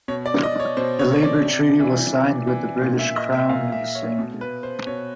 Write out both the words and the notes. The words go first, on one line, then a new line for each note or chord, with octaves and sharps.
A labour treaty was signed with the British Crown in the same year.
B2 C#5
D5
D#5
C#5
B2 C5
C#5
C#5
D5
C3
E3
C3
E3
A#2
E5
D#5
E5
A#2 F5
E5
C#5
B2
B4
C5
B2 C#5